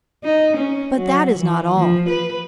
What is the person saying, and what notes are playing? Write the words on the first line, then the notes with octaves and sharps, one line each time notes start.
But that is not all.
D#4
C#4
F#3
E3
F3
B4